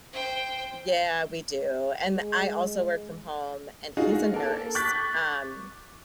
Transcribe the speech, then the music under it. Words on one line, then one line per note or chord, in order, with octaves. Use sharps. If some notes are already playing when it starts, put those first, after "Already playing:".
Yeah, we do, and I also work from home, and he's a nurse, um,
C5 G5
G#3
D#4 F4 F#4 G#4
A#3 A4
C#6 D6 F#6 G6 A6 B6